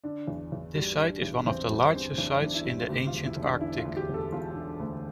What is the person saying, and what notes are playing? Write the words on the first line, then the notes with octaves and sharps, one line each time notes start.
This site is one of the largest sites in the ancient Arctic.
D3 D4
E2
E2
G3
D3
E2
E2 C4
G3 C4
D3 C4
E2 D4
E2 D4
E4
G3
F4
D2 G4
F4
E1
E4
E1
D4
D3 E4
F4
D2
G4
E1
A4
E1 F4
D3
D2